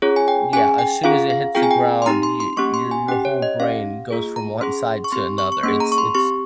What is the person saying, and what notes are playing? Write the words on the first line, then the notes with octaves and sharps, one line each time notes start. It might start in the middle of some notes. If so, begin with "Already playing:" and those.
yeah, as soon as it hits the ground, y your your whole brain goes from one side to another. It's it's
C#4 F4 G#4 C#5
G#5
G5
C#4 G#4 G#5
G5
C#4 F4 G#4 F5
F5
C4 F4 G#4 G5
G#5
G5
C6
C4 D#4 G4 A#5
C6
C6
A#3 C#4 G4 C#6
C6
G#5
C#4 G4 G5
C#5
D#5
C#4 G4 F5
A#3 F4 G#4
A#5
C#4 G#4 C6
C#6
C4 G4 C6
C#6
C#6
A#3 C#4 G#4 C6
A#5
C#6
C6
C4 G4 C#6